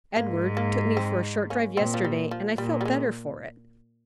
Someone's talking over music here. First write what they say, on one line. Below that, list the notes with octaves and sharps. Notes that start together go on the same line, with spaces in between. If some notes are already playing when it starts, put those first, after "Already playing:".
"Edward took me for a short drive yesterday, and I felt better for it."
G#2 A#3
A#3
C4
A#3 C#4
A#2 C4
F3
G3
F3
A#2 G3
G3
G#3